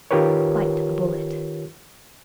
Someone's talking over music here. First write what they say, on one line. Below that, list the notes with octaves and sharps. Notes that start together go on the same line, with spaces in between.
Bite the bullet.
D#3 F4 G4 A#4 B4 C#5